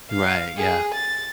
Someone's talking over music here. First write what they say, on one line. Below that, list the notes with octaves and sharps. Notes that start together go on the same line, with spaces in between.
Right, yeah.
F5
G#4
A6